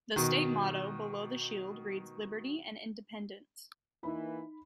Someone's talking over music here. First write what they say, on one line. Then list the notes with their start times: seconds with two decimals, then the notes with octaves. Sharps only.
The state motto, below the shield, reads "Liberty and Independence".
0.16 B2 D#3
4.03 E3 A#3 D#4 E4 B5